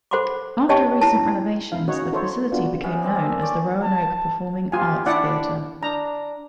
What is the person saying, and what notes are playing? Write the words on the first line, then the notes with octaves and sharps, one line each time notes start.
After recent renovations, the facility became known as the Roanoke Performing Arts Theatre.
A4 C5 F#5 B5 C6 D6
G4 C#5 D#5 G5 A5 C#6
E4 A5
E4 F5
C#4 D#4 F#4 C#5 F#5
D#4 E4 A4 C5 C#5
B3 D4 F4 F#4
C3 B3 C#4
B3 C4 D4 G#4
A#3 A4
G#5
D5 A5 C#6
A5
F4 G4 G#5
D4 E4 D5 F#5
D4 A#5